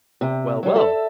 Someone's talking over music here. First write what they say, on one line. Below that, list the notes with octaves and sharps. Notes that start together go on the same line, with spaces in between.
Well, well.
C3
F#3 G3
A4 E5